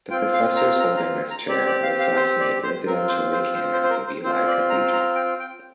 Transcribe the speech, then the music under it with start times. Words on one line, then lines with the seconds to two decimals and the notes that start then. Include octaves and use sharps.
The professors holding this chair were thus made residentiary canons of Ely Cathedral.
0.10 C4 F4 G5
0.33 F5
0.56 A#5
0.79 A#5
0.97 A#5
1.31 A#5
1.48 C4 G4 D5
1.66 D5
1.83 F5
2.00 F5
2.17 C5
2.40 D5
2.63 C5
2.86 C4 F4 A#4
3.09 C5
3.32 C5
3.55 C5
3.72 C5
3.83 C5
3.90 A#4
4.07 C5
4.23 C4 F4 C5
4.48 D5
4.70 A#5
4.93 A#5
5.15 G5
5.39 G5